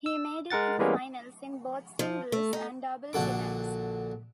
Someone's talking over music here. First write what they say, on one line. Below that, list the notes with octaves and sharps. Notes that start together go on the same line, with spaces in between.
He made it to the finals in both the singles and doubles events.
E6
G#3 A#4 F#5 A6
E3 G3 G#3 A#3 B3 C#4
F3
A3
D#4
A#1 D3 F#4 A4 D6